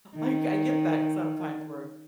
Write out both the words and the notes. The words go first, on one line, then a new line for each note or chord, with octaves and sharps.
like, I get that sometimes where
D#3